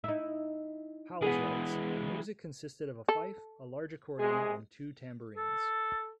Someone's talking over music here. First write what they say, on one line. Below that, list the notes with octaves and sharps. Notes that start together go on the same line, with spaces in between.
Powles writes "The music consisted of a fife, a large accordion and two tambourines".
D#4 E4
E3 G#3 B3 G#4
A4
C2 G#3 G#4
A4